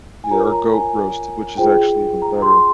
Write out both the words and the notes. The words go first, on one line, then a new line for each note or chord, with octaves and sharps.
Yeah, or goat roast, which is actually even better.
G#5
F4 A#4 C#5 A#5
A#5
G#5
F4 G#4 C5 G5
A#5
C6